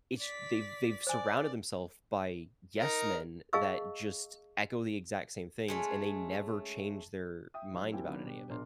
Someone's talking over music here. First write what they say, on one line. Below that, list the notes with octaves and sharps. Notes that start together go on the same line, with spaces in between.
It sh they've they've surrounded themself by yes men that just echo the exact same things, and they never change their mind about any of it.
D5 B6
C5 D5 G#5
D#4 A#4
G#4 D#5 F5 A5 C#6 E6
G#3 A3 C#4
E5 G5 D#6
F#3 D#4
A#3 C4 E4 G4 G5 G#5
D#3 F#3 A#3 B3 C#4 D4
B2 G3 D4 G4
A#1 B2 D4 A#4 C6